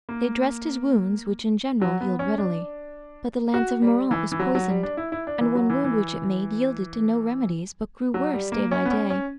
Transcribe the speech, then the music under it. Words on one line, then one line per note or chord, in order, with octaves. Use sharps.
They dressed his wounds, which in general healed readily; but the lance of Moraunt was poisoned, and one wound which it made yielded to no remedies, but grew worse day by day.
A#3
F#3
B3
C#4
D4
F#4
G3
E3
E3
F#3
F#3
G3
D4
E4
E4
D4
E3
F#3
E3
E3
F#3
G3
A#3
C#4
B3
C#4
C#4